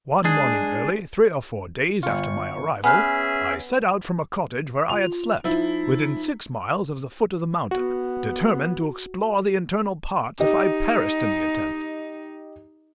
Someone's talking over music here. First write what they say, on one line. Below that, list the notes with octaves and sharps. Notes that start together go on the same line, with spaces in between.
One morning early, three or four days after my arrival, I set out from a cottage where I had slept, within six miles of the foot of the mountain, determined to explore the internal parts, if I perished in the attempt.
G#3 D4 G#4
G1 F4 C#6
B3 C#4 G#4 B4 E5 G#5 F6
F4 F7
F3 D#4 E4
B3 F#4
D#4 G4 D#5